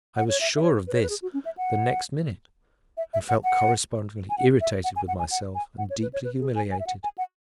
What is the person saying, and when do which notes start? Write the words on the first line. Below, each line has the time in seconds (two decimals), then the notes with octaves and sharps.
I was sure of this the next minute, and felt correspondingly irritated with myself and deeply humiliated.
0.16 F#5
0.28 C#5
0.41 E5
0.56 E5
0.63 C#5
0.87 B4
0.94 C#5
1.02 B4
1.10 G#4
1.22 F#4
1.34 C#4
1.45 E5
1.57 F#5
2.97 E5
3.14 E5
3.29 F#5
3.44 F#5
4.30 G#5
4.38 F#5
4.61 E5
4.84 F#5
4.96 G#5
5.08 F#5
5.19 G#5
5.31 F#5
5.55 G#5
5.78 F#5
5.90 C#5
6.02 B4
6.13 C#5
6.24 B4
6.40 G#4
6.56 G#5
6.71 G#5
6.80 E5
6.87 F#5
7.03 G#5
7.18 F#5